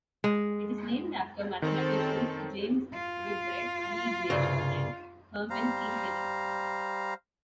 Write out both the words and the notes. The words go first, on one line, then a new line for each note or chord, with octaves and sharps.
It is named after mathematicians James Whitbread Lee Glaisher and Hermann Kinkelin.
G#3
D#3 C4 C#4 A4
F4
C2 G2 C#3
G3 C5 F5 A#5